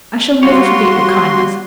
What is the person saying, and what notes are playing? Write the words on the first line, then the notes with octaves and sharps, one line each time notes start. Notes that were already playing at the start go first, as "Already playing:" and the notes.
I shall never forget your kindness.
G3 F4 F#4 C#5 C6